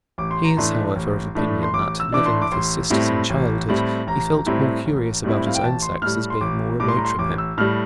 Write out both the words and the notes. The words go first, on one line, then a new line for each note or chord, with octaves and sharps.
He is, however, of opinion that, living with his sisters in childhood, he felt more curious about his own sex as being more remote from him.
A1 D6
C6
A#5
A2 E3 A3 D4 C6
A1
A2 E3 A3 D4
C6
A1 D6
E6
A2 E3 A3 D4 D6
C6
D6
A1 C6
A2 G3 C4 E4
A1
A2 G3 C4 E4
A1 A#5
A2 G3 C4 E4
A1
A2 G3 C4 E4
F5
G5
A1 A5
C6
A2 G3 F6
C6
A1 D6
A2 G3 D6
C6
A#5
C6
A1 D6
E6
A2 G3 F6